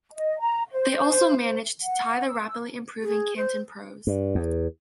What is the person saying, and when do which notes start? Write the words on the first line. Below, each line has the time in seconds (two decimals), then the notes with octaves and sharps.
They also managed to tie the rapidly improving Canton Pros.
0.13 D#5
0.40 A#5
0.72 C5
1.82 F#5
2.27 E6
3.02 G#4
3.37 C5
4.07 G2
4.35 E2